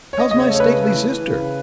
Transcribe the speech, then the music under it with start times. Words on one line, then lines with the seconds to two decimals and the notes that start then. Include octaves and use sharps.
How's my stately sister?
0.13 C#5
0.19 C#4 D#5
0.31 C#3 D#5
0.39 C#5
0.49 A3
0.55 C#5
0.60 B4
0.65 C#3
0.79 A3
0.95 E3
1.10 E3
1.26 C#3
1.40 C#3